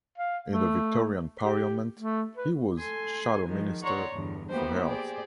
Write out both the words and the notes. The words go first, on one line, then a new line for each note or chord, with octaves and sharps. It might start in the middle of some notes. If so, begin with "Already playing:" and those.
In the Victorian Parliament he was Shadow Minister for Health.
F5
A3
G4
A3
B4
A4 G#5 C6
D#3 F3 G#3
C#5 D5 F#5 A#5 C6 C#6
E2 G2 D3
A#3 B3 E4 F#4 G4 C5
G4 G#4 C5 D5